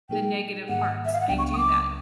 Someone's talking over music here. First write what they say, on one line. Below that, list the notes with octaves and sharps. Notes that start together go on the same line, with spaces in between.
the negative parts, I do that.
A#2 F#3 A#3 D#4 G#4 G5
G#2 D#3 G3 A#3 F#5
E5
F5
F#5
C#2 C#3 F#3 B3 D4 G5
C#6
D#6
D6